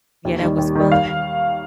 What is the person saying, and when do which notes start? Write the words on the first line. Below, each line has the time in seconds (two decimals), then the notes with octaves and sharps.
yeah, that was fun,
0.25 D#2
0.41 D#3 G3
0.58 D#2
0.75 D#3 G3
0.92 F5